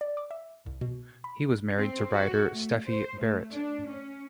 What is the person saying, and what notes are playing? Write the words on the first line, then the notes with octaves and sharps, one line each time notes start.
He was married to writer Steffi Barrett.
D5
D6
E5
C2
B2
B5
C4
F#4
A3
C5
A3
D4
C#4